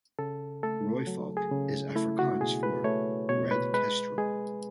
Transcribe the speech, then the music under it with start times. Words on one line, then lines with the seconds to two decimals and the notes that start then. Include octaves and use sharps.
"Rooivalk" is Afrikaans for "Red Kestrel".
0.19 C#3 A4
0.63 A3 A4
1.07 F#3
1.37 G#4
1.51 C#3
1.96 A3 E4
2.19 F#4
2.41 B2 G#4
2.63 B4
2.84 A3 C#5
3.29 B2 C#5
3.51 B4
3.74 G#3 B4
4.18 G#3 G#4